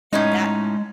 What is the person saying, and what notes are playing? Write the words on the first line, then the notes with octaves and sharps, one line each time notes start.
And that
A2 G#3 C#4 D#4